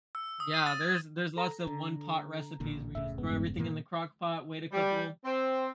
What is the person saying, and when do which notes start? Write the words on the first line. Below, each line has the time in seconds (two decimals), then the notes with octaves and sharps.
Yeah. There's there's lots of one-pot recipes where you just throw everything in the crockpot, wait a couple
0.15 E6
0.40 D#6
0.54 D#7
0.66 A6
0.81 G#6
1.37 A4 A#5
1.67 D3
2.60 A1 A#2 D3
2.95 E1 A2 C#3 E5
3.18 G2 G#3 B3
3.58 A#2 D#3 A#3
4.71 G3
5.24 C4